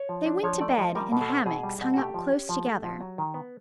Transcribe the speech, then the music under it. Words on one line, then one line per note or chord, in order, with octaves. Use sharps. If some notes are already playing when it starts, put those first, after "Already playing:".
They went to bed in hammocks hung up close together.
Already playing: C#5
F3
D4
F3 C#5
A3 D5
F3 D#5
G3 A#4
B2
A4
C4
B2 G#4
G3
B2
F#4
A3 G4
F3
C#4
F3
A3
F3
F#3
D#3
B3